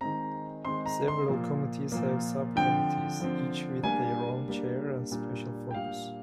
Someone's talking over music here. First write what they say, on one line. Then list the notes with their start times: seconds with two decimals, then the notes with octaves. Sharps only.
Several committees have subcommittees, each with their own chair and special focus.
0.01 D#3 G#3 C4 A#5
0.65 D#3 G#3 C4 C6
0.86 A#5
1.08 C6
1.28 A#2 F3 A#3
1.92 A#2 F3 A#3
2.56 D3 F3 C4 G5
3.20 D3 F3 C4
3.84 G3 A#3 D4 G#5
4.48 G3 A#3 D4
5.11 A#2 G3 D4
5.71 G5
5.74 A#2 G3 D4 F5